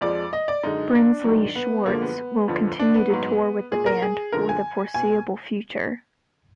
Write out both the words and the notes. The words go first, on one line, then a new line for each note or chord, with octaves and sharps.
Brinsley Schwarz will continue to tour with the band for the foreseeable future.
F2 F3 G#3 D5
D#5
D5
F#2 D3 G#3 D#4
D4
G#2 D#3 F#3
B3
F#2 D3 F3 G#3 A#3
B3
F2 D3 F3
D4
B3
G#2 F#3
A#2 G#3 G#4
A#4
G#4
F#2 D3 F3 G#3 A#4
G#5
B2 G#5